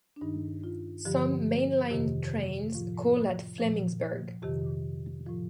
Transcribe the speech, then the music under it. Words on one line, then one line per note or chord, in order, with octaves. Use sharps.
Some main line trains call at Flemingsberg.
D4
G2 D#3 D#4
F4
G2 D3 F3 G4
F2 C3 D#3 G4
A2 F3 F4
A#2 F3
F2 C3 D#3 G4
A2 F3 F4